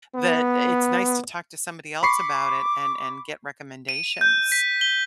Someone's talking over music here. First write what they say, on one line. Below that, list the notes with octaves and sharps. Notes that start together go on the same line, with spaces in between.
that it's nice to talk to somebody else about it and and get recommendations.
B3
B5 C#6 D6 C7
D#7
G6
B6
G7